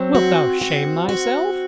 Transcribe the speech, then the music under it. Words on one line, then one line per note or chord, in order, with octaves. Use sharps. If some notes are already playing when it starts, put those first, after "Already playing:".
Wilt thou shame thyself?
Already playing: F#3 C4
F#4
F#4
F#4